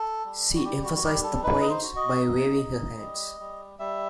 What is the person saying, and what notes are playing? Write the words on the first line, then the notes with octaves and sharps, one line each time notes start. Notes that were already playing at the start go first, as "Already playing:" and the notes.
She emphasised the point by waving her hands.
Already playing: A4
G3
F#4
G3 G4
F#4
F#4
G3 G4
A4
D#4 B4
D#5
C5
F#4
D#5
D#4
D#4
G3
G3
G3 E5